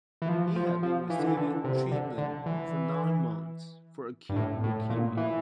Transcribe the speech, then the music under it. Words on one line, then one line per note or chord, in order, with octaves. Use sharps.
He had been receiving treatment for nine months for acute leukaemia.
E3
F3
F3
F3
E3
D3
E3
D3
C3
D3
D3
E3
G2
A2
A2
A#2
E3